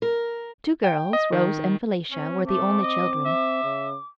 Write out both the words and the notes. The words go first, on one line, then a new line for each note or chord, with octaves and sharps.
The two girls, Rose and Felicia, were the only children.
A#4
G5
D#5
D#3
C4 C#4
A3 D6
D#5
E5
C#3